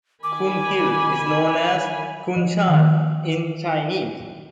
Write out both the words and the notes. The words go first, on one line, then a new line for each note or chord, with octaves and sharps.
Kun Hill is known as Kunshan in Chinese.
D#3 G#5 B5 D6
F3
D#3